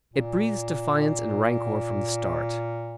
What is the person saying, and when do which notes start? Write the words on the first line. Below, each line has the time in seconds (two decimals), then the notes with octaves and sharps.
It breathes defiance and rancor from the start.
0.13 A#2